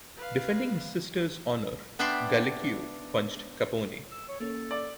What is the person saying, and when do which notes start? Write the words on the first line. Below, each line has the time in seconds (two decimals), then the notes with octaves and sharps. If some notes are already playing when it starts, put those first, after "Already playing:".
Defending his sister's honor, Gallucio punched Capone.
0.17 B4 F5
1.99 B3 D4 E5 G5 B5 C6
4.12 E6
4.29 C#5
4.40 A#3 C#4 A4
4.71 D5